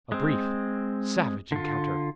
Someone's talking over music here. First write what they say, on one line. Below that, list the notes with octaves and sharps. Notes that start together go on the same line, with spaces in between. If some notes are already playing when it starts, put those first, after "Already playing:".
A brief, savage encounter.
G#3 C4
D3 F4